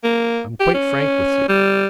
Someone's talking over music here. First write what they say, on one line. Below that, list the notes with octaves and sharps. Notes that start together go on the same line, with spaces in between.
I'm quite frank with you.
A#3
G4
C#4
G3